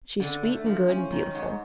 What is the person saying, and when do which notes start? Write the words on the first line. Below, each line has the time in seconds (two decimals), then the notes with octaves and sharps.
She's sweet and good and beautiful.
0.20 D3
0.43 A3
0.66 F3
0.88 C#4
1.12 D#3
1.35 G#2